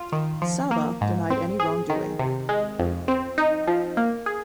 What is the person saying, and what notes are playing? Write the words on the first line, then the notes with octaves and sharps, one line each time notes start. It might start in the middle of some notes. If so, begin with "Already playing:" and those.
Sabbah denied any wrongdoing.
Already playing: F4
D#3
F3
A#3
G#2
C4
G#4
D#3
C3
G#3
F2
C4
D#4
F3
A#3
G#4